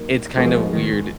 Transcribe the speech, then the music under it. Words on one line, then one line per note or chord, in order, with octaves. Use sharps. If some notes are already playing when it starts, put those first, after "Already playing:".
it's kind of weird
Already playing: F#3 A#3 D#4 F#4 A#4
F3 G#3 B3 F#4 A#4
D#3